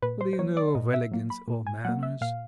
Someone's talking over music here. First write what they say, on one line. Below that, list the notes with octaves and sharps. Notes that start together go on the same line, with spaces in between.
What do you know of elegance or manners!
A#2 B4
C5
C5
F#3 A#3 C#5
D5
A#2 D#5
E5
F#3 A#3
B5
A#2
G#5
F#3 A#3 F#5
E5
A#2 F5